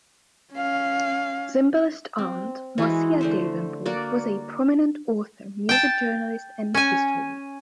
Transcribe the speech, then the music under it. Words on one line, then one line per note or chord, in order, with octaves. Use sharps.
Zimbalist's aunt, Marcia Davenport, was a prominent author, music journalist and historian.
C#4 F5
C4
E3 G#3 E4 F#4
D3 A3 C5
A#3 F#4 D5
G5 A5
C#4 G#5